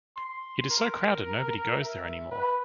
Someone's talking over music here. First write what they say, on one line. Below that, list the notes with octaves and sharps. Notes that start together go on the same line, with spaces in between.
It's so crowded nobody goes there anymore.
C6
A#4
E5
B4